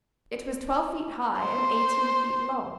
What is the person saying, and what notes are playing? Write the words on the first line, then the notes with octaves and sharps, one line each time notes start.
It was twelve feet high and eighteen feet long.
C5